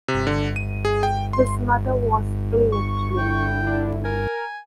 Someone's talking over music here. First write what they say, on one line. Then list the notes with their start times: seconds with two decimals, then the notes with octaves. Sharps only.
His mother was illiterate.
0.08 C3
0.27 D3
0.56 D#7
0.85 G#4
1.03 G5
1.33 C6
2.72 C#6
3.18 D3 E4 G5
3.67 D4
4.05 A#4 G#5